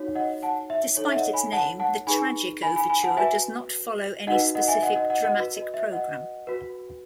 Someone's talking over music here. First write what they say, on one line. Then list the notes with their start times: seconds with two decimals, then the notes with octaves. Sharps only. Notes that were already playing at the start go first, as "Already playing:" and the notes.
Despite its name, the "Tragic Overture" does not follow any specific dramatic program.
Already playing: D#4 F#4 C#5
0.15 D#5 F#5
0.42 F#5 A5
0.70 E5
0.97 D#4 A4 C#5
1.09 E5
1.16 D#5 F#5
1.33 G#5 B5
1.52 F#5 A5
1.80 F#5 A5
2.07 D#4 G#4 B4 G#5 B5
2.62 G#5 B5
2.76 G#5 B5
2.89 G#5 B5
3.03 F#5 A5
3.17 F#4 B4 E5 G#5
4.27 D#4 F#4 B4 D#5 F#5
4.55 D#5 F#5
4.68 E5 G#5
4.83 D#5 F#5
4.95 D#5 F#5
5.10 D#5 F#5
5.24 D#5 F#5
5.37 F#4 B4
5.56 D#5
5.74 E5
5.92 D#5 F#5
6.47 F#4 B4